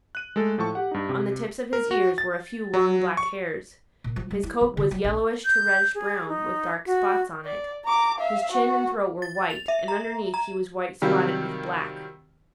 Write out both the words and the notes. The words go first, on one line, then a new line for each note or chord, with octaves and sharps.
On the tips of his ears were a few long black hairs. His coat was yellowish to reddish-brown, with dark spots on it. His chin and throat were white, and underneath he was white spotted with black.
F#6 D#7
G#3 A3 A4
A2 F3 A4 A5 C#6
G4 F#5
G2 D#4
C3
A#4
F#4
A6
F#3
C#6
A#2
F3
G3
E4
F3
D3
F#3
A#1
G6
G#4
D#4
F#4
D5
A#5 D6
E5 F5
F#4 F#5
A6
F7
E5
A#5
A#5
C3 D#3 F#3 G3 F4